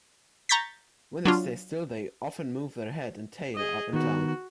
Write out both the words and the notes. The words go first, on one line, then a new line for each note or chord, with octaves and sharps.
When they stay still, they often move their head and tail up and down.
A#5 C#6 G6 A6 B6
F#3 D4 F4
G#4 D#5
D#3 B3 F#4